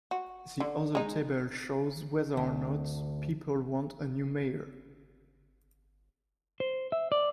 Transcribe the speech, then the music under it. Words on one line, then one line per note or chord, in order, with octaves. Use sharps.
The other table shows whether or not people want a new mayor.
F#4
D3
G#3 D#4
D2
C5
E5
D5